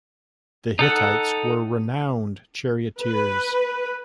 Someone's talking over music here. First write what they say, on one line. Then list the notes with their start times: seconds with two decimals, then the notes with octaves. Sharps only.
The Hittites were renowned charioteers.
0.79 D#4 A4 F#5
3.02 B4